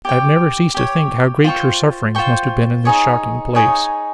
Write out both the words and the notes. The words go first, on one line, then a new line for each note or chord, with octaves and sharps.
I have never ceased to think how great your sufferings must have been in this shocking place.
G4 C#5 G5
G4 C#5 G5
F4 C5 G5 C#6
F4 C5 G5 C#6
D#4 G#4 C#5
D#4 G#4 C#5